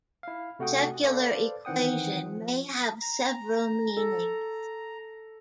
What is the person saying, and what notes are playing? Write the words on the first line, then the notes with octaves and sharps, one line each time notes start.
"Secular equation" may have several meanings.
E4 F5
C3 A3 F#4 F#5 G5 D#6
A4 B4 C5 D5 F5
D#3 E3 C4 F#5 G5 D#6
F3
A#5
A4